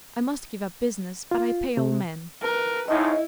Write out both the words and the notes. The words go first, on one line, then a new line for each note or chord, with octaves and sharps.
I must give up business, but I pay all men.
F4
C3
A#4 B4
F2 A2 C#3 D#4 E4 D#5